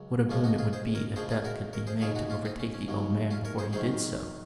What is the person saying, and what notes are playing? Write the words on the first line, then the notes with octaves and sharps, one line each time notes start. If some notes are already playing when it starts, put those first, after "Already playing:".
What a boon it would be if death could be made to overtake the old man before he did so!
Already playing: C#2 C#3 F#3
C#2 C#3 F3 G#3 C#4 F4
D#4 F#4
F4 G#4
G#4 C5
A#4 C#5
F2 C#3 F3 G#3 G#4 C5
F4 G#4
F#4 A#4
A#4 C#5
G#4 C5
D#2 C#3 G#3 F4 G#4
D#4 F#4
C#4 F4
C4 D#4
C#4
C#4
D#2 C#3 F#3
C#4 F4
A#4 C#5
G#4 C5
F#2 D#3 F#3 G#4 C5